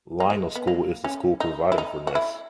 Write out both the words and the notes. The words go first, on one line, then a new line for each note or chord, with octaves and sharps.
Lionel School is the school providing for Ness.
A#3
G#3
B3
A#3
C#4
D#4
E4
D#4
F#4
E4